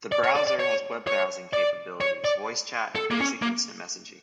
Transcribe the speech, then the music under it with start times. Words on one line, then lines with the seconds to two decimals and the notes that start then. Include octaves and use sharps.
The browser has web browsing capabilities, voice chat, and basic instant messaging.
0.12 D5
0.24 C#5
0.36 D5
0.47 D5
0.59 C#5
1.07 C#5
1.53 D5
2.01 C#5
2.24 D5
2.96 A4
3.11 A#3
3.20 C#4
3.42 A#3